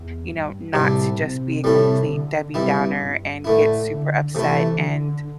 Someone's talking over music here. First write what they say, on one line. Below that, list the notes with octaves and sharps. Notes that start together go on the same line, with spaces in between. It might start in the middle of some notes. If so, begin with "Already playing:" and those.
you know, not to just be a complete Debbie Downer and get super upset and,
Already playing: E2
G2
C2 A2 C3 G3 D4
C3
A2 G3 E4 A4
D3
G2 C3 G3 E4
G2
A2 D3 A3 E4
D3
C3 E3 A3 E4 A4
D3